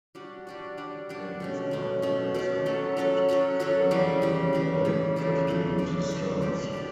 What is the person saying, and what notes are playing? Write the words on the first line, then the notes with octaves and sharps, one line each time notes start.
It paints Michael as a wild colonial boy, drifting with the stars.
G3 D4 F#4
G3 D4 F#4
G3 D4 F#4
G3 D4 F#4
B2 A3 C#4
B2 A3 C#4
B2 A3 C#4
B2 A3 C#4
F#3 C#4 F#4 A4
F#3 C#4 F#4 A4
F#3 C#4 F#4 A4
F#3 C#4 F#4 A4
C#3 E3 G3
C#3 E3 G3
C#3 E3 G3
C#3 E3 G3
C#3 E3 A3 D4
C#3 E3 A3 D4
C#3 E3 A3 D4
C#3 E3 A3 D4
B2 G3 D4 G4
B2 G3 D4 G4